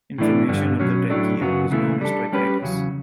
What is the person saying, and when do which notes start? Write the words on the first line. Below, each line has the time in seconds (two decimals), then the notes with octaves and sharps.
Inflammation of the trachea is known as tracheitis.
0.18 A2 E3 A3 D4
0.49 G2 D3 G3
0.79 B2 F#3 C#4
1.10 A2 F#3 A3 D4
1.41 F#2 C#3 F#3 B3 F#4
1.71 C#3 E3 A3
2.01 G3 D4 A4
2.32 G3 C#4 G4 B4
2.63 E2 C#3 F#3